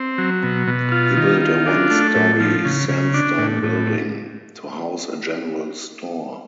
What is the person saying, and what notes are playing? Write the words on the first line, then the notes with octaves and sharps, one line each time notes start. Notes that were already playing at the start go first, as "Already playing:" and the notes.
He built a one-story sandstone building to house a general store.
Already playing: C4
F#3
B2
B2
F4
D#3
F4
D4
A3
A2
F3
C#3
C#3
D4
A2
A2